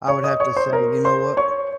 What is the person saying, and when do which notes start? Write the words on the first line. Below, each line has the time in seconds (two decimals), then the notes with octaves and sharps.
I would have to say, "You know what?
0.08 C#5 C#6
0.24 D#5 D#6
0.40 C#5 C#6
0.56 C5 C6
0.73 A#4 A#5
1.05 C5 C6
1.37 C#5 C#6